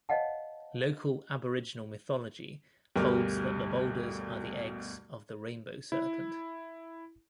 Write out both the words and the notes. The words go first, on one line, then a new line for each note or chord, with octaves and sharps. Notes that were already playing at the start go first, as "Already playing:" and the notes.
Local Aboriginal mythology holds that the boulders are the eggs of the Rainbow Serpent.
C5 C#5 D#5 F5 F#5 A5
D2 G2 B2 G4 A#4 F6
E4